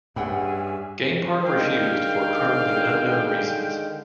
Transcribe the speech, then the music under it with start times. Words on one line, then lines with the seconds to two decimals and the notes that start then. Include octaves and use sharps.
Game Park refused, for currently unknown reasons.
0.16 G2 C#4 G#4 E5 F#5 G5 B5
1.44 D3 D#3 G#3 A#4 F5 G5